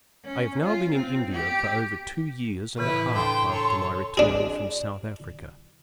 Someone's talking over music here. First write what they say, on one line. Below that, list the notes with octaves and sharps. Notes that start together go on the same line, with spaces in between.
I have now been in India for over two years and a half after my return from South Africa.
C#4
F4
C4
G4
A2 C#3 E3 E4 B4
D4 A4 G5 C6
A4 C#5 A#5
D4 G#4